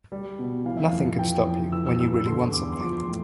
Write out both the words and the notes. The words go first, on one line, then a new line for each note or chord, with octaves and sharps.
Nothing can stop you when you really want something.
G3
B2
E3 F5
E5
F5
F2
E3 G5
F2
E3 E6
E6
G2 E6
E6
D3 C6
E2 D6
C6
F3 D6
C6
A2